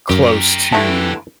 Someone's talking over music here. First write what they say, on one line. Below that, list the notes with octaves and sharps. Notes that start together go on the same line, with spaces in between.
close to,
F#2 G4 A#4
D3 E3 G3 A3 A5